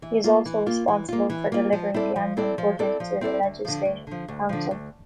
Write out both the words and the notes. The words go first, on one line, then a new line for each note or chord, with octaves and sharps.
He is also responsible for delivering the annual budget to the Legislative Council.
E3
A#3 F4
E3
A#3 F4
E3
A#3 F4
E3
A#3 F4
F3
C4 E4 A4 D5
F3
C4 E4 A4 D5
F3
C4 E4 A4 D5
F3
C4 E4 A4 D5
D2
D3 F3
D2
D3 F3
D2
D3 F3
D2